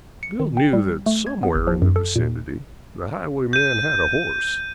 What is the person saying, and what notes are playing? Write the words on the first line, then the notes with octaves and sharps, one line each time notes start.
Bill knew that somewhere in the vicinity the highwayman had a horse.
C#7
D#3
G5
G3
A3
G#6
B3
G1
F3
F#2
A4
A#2
G6 D#7